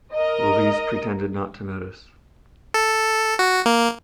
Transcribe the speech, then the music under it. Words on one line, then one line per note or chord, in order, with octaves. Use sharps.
Louise pretended not to notice.
A#4 D#5
A4
F#4
A#3